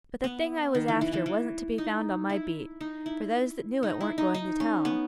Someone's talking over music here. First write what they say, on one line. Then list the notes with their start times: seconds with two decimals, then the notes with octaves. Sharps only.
But the thing I was after wasn't to be found on my beat, for those that knew it weren't going to tell.
0.24 B3
0.75 D#3
0.88 E3
1.01 E3
1.13 E3
1.26 E3
1.78 D#4
2.30 E4
2.81 D#4
3.06 E4
3.83 D#4
4.01 E4
4.18 D#4
4.34 D#4
4.60 C#4
4.85 B3